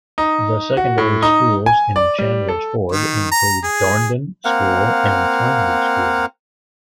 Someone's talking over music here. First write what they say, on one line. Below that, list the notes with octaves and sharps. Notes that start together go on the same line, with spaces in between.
The secondary schools in Chandler's Ford include Thornden School and Toynbee School.
D#4
F#4
A2
D#4
G#5
D5
G3
A4
D#3
A#5
G#4
A#3 C4 F5 F#5